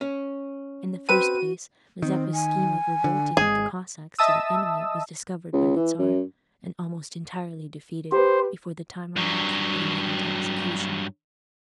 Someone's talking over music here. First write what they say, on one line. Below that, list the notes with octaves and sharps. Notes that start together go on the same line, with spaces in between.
In the first place, Mazeppa's scheme of revolting with the Cossacks to the enemy was discovered by the Czar, and almost entirely defeated, before the time arrived for putting it into execution.
C#4
C4 F#4 B4 D#7
D#3 C4
G#5
D3
G#1 G#3 G#4
D#5 E5 A5 D#6 E6
C#2
E3
F#2
G4 B4 C5
G2 F#3